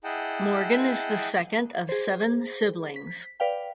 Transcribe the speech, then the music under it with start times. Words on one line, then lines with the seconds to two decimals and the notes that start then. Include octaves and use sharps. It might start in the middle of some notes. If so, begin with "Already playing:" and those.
Morgan is the second of seven siblings.
0.04 E4 G#4 D#5 F#5 G5 A5
1.89 G#4 C5
2.96 B6
3.40 B4 D5 F5 G5